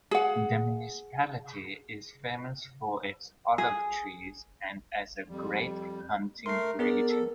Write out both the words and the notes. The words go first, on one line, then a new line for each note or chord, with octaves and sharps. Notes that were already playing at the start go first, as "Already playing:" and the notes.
The municipality is famous for its olive trees and as a great hunting region.
G#4 F#5
G#4
F2 G3
A3 A#4 C6 C7
B3 G#4 A#4 D5
A4